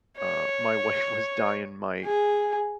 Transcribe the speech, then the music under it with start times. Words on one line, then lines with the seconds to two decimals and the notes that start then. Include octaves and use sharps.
uh, my wife was dyeing my
0.17 C#5
2.05 G#4